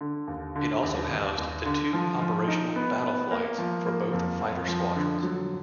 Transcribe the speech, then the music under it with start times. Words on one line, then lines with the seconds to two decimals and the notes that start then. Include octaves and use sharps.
It also housed the two operational 'Battle Flights' for both fighter squadrons.
0.01 D3
0.28 D#2
0.56 D3
0.83 D#2
1.11 D#2
1.38 D#2
1.65 D3
1.93 F3
2.21 F3
2.48 D#4
2.76 B3
3.03 B3
3.31 A#3
3.58 F3
3.86 A#3
4.13 F2
4.41 F2
4.68 F3
4.96 D3
5.23 F#3